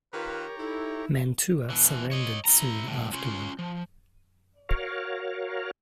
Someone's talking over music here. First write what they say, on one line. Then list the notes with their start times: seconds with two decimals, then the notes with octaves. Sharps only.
Mantua surrendered soon afterward.
0.13 D#3 F4 G4 A#4 B4 C#5 A#5
0.58 D#4 E4 A4
1.70 B2 E3
2.11 C#5 D#5
2.45 E4 A#5
2.87 C2 A2
3.13 C#4 F4
3.59 F3
4.69 F#4 A#4 C#5 F5